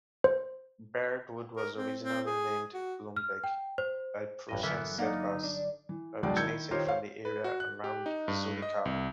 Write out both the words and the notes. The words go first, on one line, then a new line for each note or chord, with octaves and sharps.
Birdwood was originally named Blumberg, by Prussian settlers originating from the area around Zullichau.
C5
A#4
C4
C4
G#4
F#4
F6
G5
C5
A1 G2 D#5
G1 D3 E3 F#3 B3 A4 A#4 E5
A#3 D#4 D5 F#5 F6
D4
E3
F1 B1 B2 G#3 D5 G5
D#3 E4 E6 G6 G#6 C#7
D#3 F4 G4 A#4 C5 C#5
C5 C#5 F5
B4
F#4
F#6
G4
D#4
G2
D#5
C2